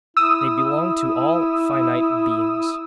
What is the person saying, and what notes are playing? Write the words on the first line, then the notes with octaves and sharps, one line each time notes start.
They belong to all finite beings.
E4 D#6 E6